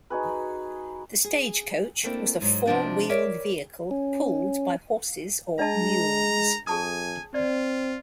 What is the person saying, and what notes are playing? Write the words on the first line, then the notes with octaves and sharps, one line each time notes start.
The stagecoach was a four-wheeled vehicle pulled by horses or mules.
D#4 F#4 G#4 B4
G#4
A3 A#3 C4 D4 E4
G#2 F#3
C3 F3 A3 D4 D#4 F#4
A#4 C#5 D5 E5
C#4
G#3 D4 D#5 A5 A#5
F2 G#4 G#5 A5 D#6
C4 F4 D5